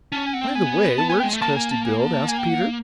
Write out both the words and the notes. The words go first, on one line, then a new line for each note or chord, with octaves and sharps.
"By the way, where does Cresty build?" asked Peter.
C#4 A5
G#5
C4 F#5
G5
B3 G#5
A5
G#5
G5
G#3
A3
A#3 A5
G#5
A5
G#5
A5
A5
G#5
G5
F#5
F5